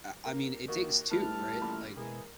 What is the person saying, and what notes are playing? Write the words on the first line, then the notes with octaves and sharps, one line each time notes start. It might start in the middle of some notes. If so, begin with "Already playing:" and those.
I I mean, it takes two, right, like
A#3
D#3 A#3 F#4 G4
G3 A3 B3 E4 A5 F6
A1 A#2 B5
B2 E3 G#3 A#3 G#4